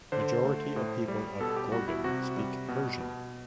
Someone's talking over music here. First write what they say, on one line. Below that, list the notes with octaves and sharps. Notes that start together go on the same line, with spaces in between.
Majority of people of Gorgan speak Persian.
D3 C5
A3
A2
G3
B2 A4
G4
G3 F#4
E4
C3 F#4
G3
B2
B2